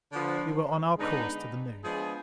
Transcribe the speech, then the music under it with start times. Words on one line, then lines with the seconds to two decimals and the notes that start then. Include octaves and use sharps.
We were on our course to the Moon.
0.12 D3 F3 B3
0.97 D3 G#3 B3 D#4
1.83 F3 G#3 B3 D4 G#4